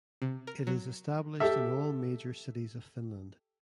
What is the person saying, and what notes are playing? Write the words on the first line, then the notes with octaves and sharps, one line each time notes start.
It is established in all major cities of Finland.
C3
A#4
F#3
G4 A4 E5